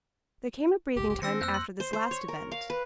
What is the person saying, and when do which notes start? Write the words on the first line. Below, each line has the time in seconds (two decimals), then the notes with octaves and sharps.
There came a breathing-time after this last event.
0.96 F#1 C2 G4
1.10 G4
1.22 D#3 C4 D4 E6 A#6 C#7
1.41 F2 A#3 E6 F#6 G6
1.54 C6
1.80 C5
1.93 C5
2.11 C#5
2.28 A#4
2.51 F5
2.70 B4